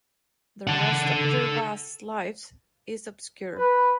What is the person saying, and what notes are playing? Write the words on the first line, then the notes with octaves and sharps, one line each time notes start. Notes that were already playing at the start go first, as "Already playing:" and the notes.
The rest of Gervase's life is obscure.
A4 F#5
B4